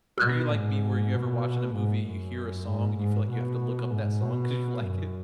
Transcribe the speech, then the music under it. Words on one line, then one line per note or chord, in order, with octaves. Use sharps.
Are you like me where you ever watching a movie, you hear a song, and you feel like you have to look up that song 'cause you like it?
B2
G#2
B2
G#2
F#2
G#2
G#2
B2
G#2
B2
F#2